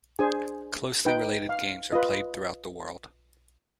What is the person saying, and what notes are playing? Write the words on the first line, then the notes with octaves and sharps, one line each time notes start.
Closely related games are played throughout the world.
D4 G#4 C5 G#5
D#4 B4 G5
F5
F4 B4 D#5